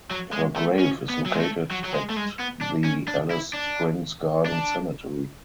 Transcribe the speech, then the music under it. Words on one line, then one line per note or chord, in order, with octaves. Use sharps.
Her grave is located at the Alice Springs Garden Cemetery.
F#3
G#3
A3
C#4
B3
F#3
G#3
A3
F#3
F#3
G#3
A3
G#3
B3
D4
C#4
D4
E4
D4
D4